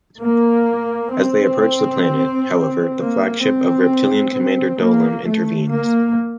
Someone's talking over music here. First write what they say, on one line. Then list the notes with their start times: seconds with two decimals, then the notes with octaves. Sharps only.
As they approach the planet, however, the flagship of Reptilian Commander Dolim intervenes.
0.20 A#3
1.12 C4
2.96 A#3
3.42 C4
4.33 C4
4.79 A#3
5.25 A3
5.71 A#3